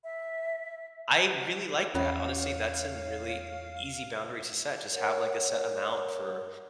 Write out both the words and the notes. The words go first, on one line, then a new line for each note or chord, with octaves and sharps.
I really like that. Honestly, that's an really easy boundary to set; just have, like, a set amount for
E5
E2 C#4 F4 A#4 C#5 F5
A#4 C#5 F#5